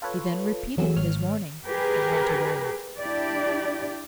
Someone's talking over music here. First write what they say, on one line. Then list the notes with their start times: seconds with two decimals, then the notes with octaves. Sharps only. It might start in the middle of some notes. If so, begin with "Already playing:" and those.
He then repeated his warning and went away.
0.02 F4 A4 B4 C#5
0.77 E2 F#3 A3 G#4 E6
0.96 G#1 C#5 F6
1.66 G4 G#4 A#4 B4
2.99 D4 E4 G4 D5